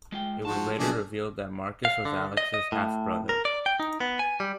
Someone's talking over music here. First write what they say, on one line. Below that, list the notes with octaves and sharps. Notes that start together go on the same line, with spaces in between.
It was later revealed that Marcus was Alex's half-brother.
G#3 F4 G5
G#2 F3 F#4 A5
A#1 C#3 F#3 A3 A#3 G#4 D5
F5
D3
D#5
D#5
A2
A#4
D5
G5
D#4
B3
G#5
G3